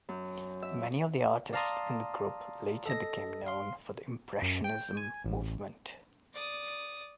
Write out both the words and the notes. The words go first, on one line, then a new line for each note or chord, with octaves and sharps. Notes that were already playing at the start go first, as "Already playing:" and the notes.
Many of the artists in the group later became known for the Impressionism movement.
F#2
E5
D5 F5 A5 A#5 C6 D#6
A4 D#5 A#6
F5 C6
F#2
G5
G#5
A1
D5 D#6